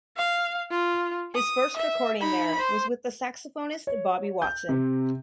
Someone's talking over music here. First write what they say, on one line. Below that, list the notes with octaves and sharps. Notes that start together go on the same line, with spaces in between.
His first recording there was with the saxophonist Bobby Watson.
F5
F4
D#6
E5
D#4 B5
C5
C#5
G6
C3